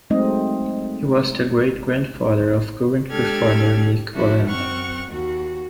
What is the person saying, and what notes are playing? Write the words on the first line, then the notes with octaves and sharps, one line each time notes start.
He was the great-grandfather of current performer Nik Wallenda.
F#3 G#3 A3 C4 D#4 D#5
G#3 D4 G4 A4 F6 G#6
F3 C#4 D4 E4 F#4
F#2 C4 F#5 C#6 F6
D#2 F#4